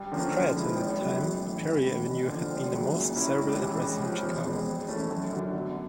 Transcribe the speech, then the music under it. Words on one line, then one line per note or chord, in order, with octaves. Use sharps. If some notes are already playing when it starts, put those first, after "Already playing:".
Prior to that time, Prairie Avenue had been the most desirable address in Chicago.
Already playing: G2
D3 F3 A#3 C#4
D3
F3 G#3 C4 E4
G#1
F#2 C#3 F#3 B3
B1
A2 E3
A1
A2 E3
D#2
D3 F3
G#1
F#2 C#3 F#3
A#2
G3 A#3 C#4 E4
C#2
C3 E3
C#2
F3
C3
E2
B2 G#3 C4
F2
C3 E3 A3 C#4
F#2
D3 F#3
B2